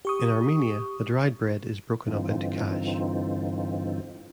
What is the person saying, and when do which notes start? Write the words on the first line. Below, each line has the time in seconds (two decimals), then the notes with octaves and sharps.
In Armenia the dried bread is broken up into khash.
0.05 G4 C#6 D#6
2.07 G2 D3 E3 C4 D#4 F4